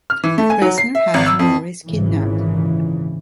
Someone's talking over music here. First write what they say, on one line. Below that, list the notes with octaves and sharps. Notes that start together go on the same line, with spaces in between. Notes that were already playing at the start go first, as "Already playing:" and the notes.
Cressner has Norris kidnapped.
F6
E3
A3
G#5
F#3
C7
E5
G#1
E6
F2
G#1 A#2 C#3 E3